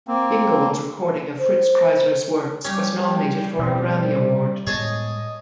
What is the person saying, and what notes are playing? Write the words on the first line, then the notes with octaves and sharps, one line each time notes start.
Gingold's recording of Fritz Kreisler's works was nominated for a Grammy Award.
A#3 C4
C5
G3 C#4 G4
B2 D3 C4
A2 G#3 B3 G#4 C#5 D#5 A5